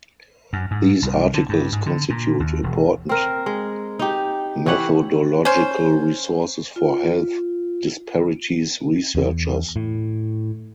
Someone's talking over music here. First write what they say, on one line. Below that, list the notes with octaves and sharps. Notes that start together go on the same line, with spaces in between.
These articles constitute important methodological resources for health disparities researchers.
F#2
G#2
C2
D3
G2
G#2
D3
A#2
D#2
E1
C4 A#4
G#3
D#4 G4
E3 G4 C#5 F#5
C#4 C5
F4
E2
A2